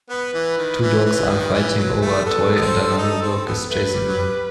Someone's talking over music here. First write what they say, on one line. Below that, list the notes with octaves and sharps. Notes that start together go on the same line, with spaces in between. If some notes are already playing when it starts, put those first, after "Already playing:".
Two dogs are fighting over a toy and another dog is chasing them.
B3 B4
E3
D#3
E3
E3
D#3
E3
F#3
A3
B3 A4
D#4
C4
D#4
C4
B3
A3 B4
F#3
G3
F#3
G3